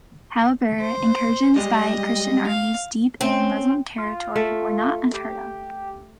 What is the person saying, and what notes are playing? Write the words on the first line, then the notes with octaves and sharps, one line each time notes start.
However, incursions by Christian armies deep in Muslim territory were not unheard-of.
C5
G3 G#3 D#5
F5
C4 C#4
F4
A3
G4